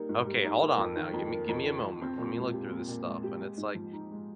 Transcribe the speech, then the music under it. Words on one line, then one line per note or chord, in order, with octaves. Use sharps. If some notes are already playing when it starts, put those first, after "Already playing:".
"Okay, hold on now, gimme gimme a moment, let me look through this stuff," and it's like,
Already playing: G3 A#3 D#4
G#2
G3
D#4
A#3
F2
D#3
F2
A#3
F2
D#3
F2
C4
A#2
G#3
G4
C4
A#2
G#3
G4
G#3
G#2
F3
D#4
G#3